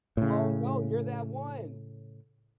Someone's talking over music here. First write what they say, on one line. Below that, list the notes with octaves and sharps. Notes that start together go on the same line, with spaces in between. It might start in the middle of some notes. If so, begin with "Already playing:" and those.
Oh, no, you're that one!
A2 C#3